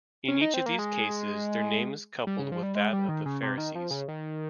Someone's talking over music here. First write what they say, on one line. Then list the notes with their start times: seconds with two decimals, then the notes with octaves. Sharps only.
In each of these cases their name is coupled with that of the Pharisees.
0.28 C#4
0.41 D#4
0.54 C4
0.66 A#3
0.79 G#3
2.27 G3
2.39 C#3
2.52 F3
2.63 G3
2.75 G#3
2.93 G3
3.09 D#3
3.26 C#3
3.42 C3
3.58 D#3
3.75 F3
3.91 C#3
4.08 D#3